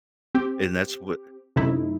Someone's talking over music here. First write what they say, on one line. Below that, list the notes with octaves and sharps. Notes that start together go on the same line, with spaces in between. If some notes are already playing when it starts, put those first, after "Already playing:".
And that's what
C4 G4
F#2 C3 A3 D#4 E4